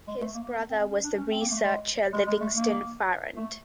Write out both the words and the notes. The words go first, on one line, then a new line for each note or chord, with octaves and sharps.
His brother was the researcher Livingston Farrand.
G#3
A3
A#3
B3
C4
C#4
D4
C#4
C4
A#3
A3
G#3
G#3
G#3
A3
A#3
A3